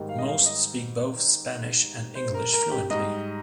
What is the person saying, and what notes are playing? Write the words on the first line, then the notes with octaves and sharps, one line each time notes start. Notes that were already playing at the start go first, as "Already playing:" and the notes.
Most speak both Spanish and English fluently.
Already playing: G#2 D#3 G3
F5
D#5
F5
D#5
C5
A#4
A#4
G4
G#2 G3 D#5